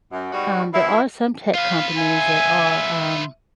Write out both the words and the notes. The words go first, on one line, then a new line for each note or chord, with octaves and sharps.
Um, there are some tech companies that are, um
F#2
G#2 B2 G3 F#4
F3 B3 E4
F4 B4 F5
E5 G#5